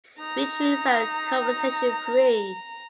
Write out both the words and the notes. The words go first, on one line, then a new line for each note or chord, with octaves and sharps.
Retreats are conversation free.
D#4 A#5